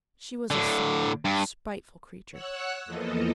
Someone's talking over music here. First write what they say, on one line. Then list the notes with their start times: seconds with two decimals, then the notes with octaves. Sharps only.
She was a sour, spiteful creature.
0.51 A2 D3
1.25 G2
2.31 C#5 F#5 E6 F#6
2.85 E2 E3 F3 A#3 A4 D#5